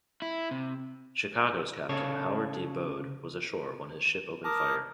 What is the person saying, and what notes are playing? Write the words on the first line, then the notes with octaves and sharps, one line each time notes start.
"Chicago's" captain, Howard D. Bode, was ashore when his ship opened fire.
E4
C3
C#3 A4 C#5
A#4 A5 D6 D#6